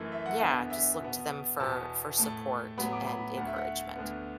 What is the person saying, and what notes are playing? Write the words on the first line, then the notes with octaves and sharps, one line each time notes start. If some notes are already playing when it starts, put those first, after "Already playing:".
yeah, just look to them for for support and encouragement.
Already playing: F#2 E3 A3
E5
F#5
E2 D3 B3
E5
B2 B3
E2 B2 B3 A5
A2 A3 A5
A2 F#3 B3 B5
D6
B5
D2 D3 A3 F#5
E5
F#5
D2 D3 B3